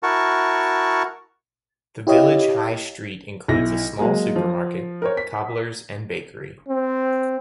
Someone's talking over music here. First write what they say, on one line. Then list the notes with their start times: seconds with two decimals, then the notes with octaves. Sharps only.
The village high street includes a small supermarket, cobblers and bakery.
0.03 E4 F#4 A#4 A5 C#6
2.07 E4 G4 C#5 D#5 F5
3.48 B1 E4 A#6
3.99 F#3 G#3 A#3 G#4
4.36 F3
5.02 A#4 C5 C#5
5.17 B6
6.68 C4